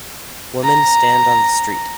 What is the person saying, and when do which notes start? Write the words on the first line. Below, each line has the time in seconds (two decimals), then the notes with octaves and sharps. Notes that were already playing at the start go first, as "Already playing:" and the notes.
Women stand on the street.
0.63 A#5